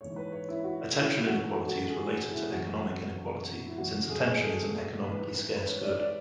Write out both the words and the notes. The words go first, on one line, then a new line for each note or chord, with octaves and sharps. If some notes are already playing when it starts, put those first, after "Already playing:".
Attention inequality is related to economic inequality since attention is an economically scarce good.
G#2 E3 C#5
B4
C#5
E4
F#4
E4
G#2 E3 F#4
A4
F#4
G#4
G#4
E4
F#2 E3 F#4
E4
F#2 E3 F#4
G#4
A4
G#2 E3 B4
B4
B4
C#5
D5
D5